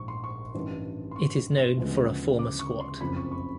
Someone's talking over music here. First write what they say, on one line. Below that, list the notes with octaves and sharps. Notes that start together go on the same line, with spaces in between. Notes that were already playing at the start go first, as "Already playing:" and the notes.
It is known for a former squat.
Already playing: A#1 G#2 C#6
C6
C#6
A1 G2 D#3
C6
C#6
D2 C#3 F3 G#3 B3
D6
C#6
C6
F#1 F2 C#3 F3 B5
C#6
C#6